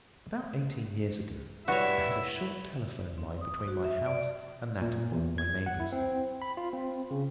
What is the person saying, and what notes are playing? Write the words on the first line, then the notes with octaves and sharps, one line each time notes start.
About eighteen years ago I had a short telephone-line between my house and that of one of my neighbors.
G2 E4 F#4 C#5 E5
C4
D#6
F#4
E5
D5
A#2
E2
G#6
F#5
E4
C4
B5
F4
C4
C#3